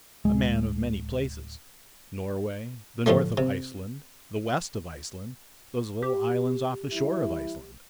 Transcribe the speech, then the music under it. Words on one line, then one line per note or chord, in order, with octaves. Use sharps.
A man of many places--Norway, the north of Iceland, the west of Iceland, those little islands off the shore of Iceland.
D1 G#3
A2 D3 F3 G3 A3
C3
G4
E3 G3 E4